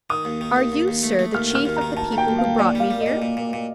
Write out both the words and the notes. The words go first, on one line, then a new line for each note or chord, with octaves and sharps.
"Are you, sir, the chief of the people who brought me here?"
D#3 D#6
D#2
D#3
D#2
D#2
D#2
A3
A3
D#2 F6
D#3
F6
D#2
D#3 A#5
D#3 A5
D#2
G5
D#2
F5
D#2
A#2 D5
G3 F5
G3
D#5
A#2
A#2
A#2
A#2